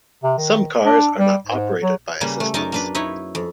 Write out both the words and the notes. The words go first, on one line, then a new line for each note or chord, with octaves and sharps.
Some cars are not operated by assistants.
C3
D#3
D4
G3
G#2
F#3
C#3 G3 A#3 B4
A3
F#2 D#4 A#4 D5 G#5 A5
A#3 D4 B4
D#4 E4 B4 C#5
F2